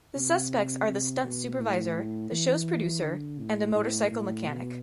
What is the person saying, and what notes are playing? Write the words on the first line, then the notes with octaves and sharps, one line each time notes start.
The suspects are the stunt supervisor, the show's producer and a motorcycle mechanic.
C3
C3
B2
A2
E3
D3
A2
A2
A2
B2